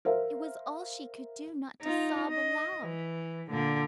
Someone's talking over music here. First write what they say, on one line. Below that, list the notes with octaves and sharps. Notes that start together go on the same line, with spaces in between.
It was all she could do not to sob aloud.
A#4 C5 E5 F5
D#4 F4
D#5
E3
A#2 D3